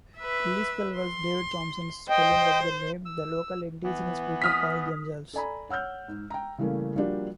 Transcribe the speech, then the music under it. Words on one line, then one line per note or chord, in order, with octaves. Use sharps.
Kullyspel was David Thompson's spelling of the name the local indigenous people called themselves.
B4 E5
C6
C5 D#5 G5
E6
E3 B3
D#6 F6 B6
A4 D5 G#5 A#5 B5
C#5 F#5 E6 F6 G6
G#2
G5 A#5
C#3 E3 G3 A3 A#3 C#4
F3 G3 A#3 D4 F#4 G4